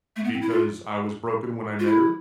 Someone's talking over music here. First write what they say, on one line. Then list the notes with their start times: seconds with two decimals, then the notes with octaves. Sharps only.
because I was broken when I met her,
0.16 A3
0.24 B3
0.33 C4
0.41 E4
0.50 F4
1.80 F4
1.86 E4